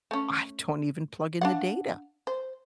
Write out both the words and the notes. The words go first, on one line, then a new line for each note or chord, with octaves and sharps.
I don't even plug in the data.
A3 C#4
D4 F5 F#5
C5